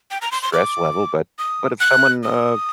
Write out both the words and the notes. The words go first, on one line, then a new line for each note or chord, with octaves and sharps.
stress level, but but if someone, uh,
G5
A#5
C6
C6
D6
D#6
F#6
D#6